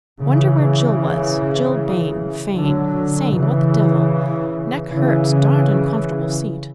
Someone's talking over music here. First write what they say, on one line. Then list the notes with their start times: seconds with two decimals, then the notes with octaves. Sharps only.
Wonder where Jill was--Jill Bayne, Fayne, Sayne--what the devil--neck hurts, darned uncomfortable seat.
0.21 C#3 E3
2.55 D3 F#3
3.34 C#3 E3
4.91 C#3 E3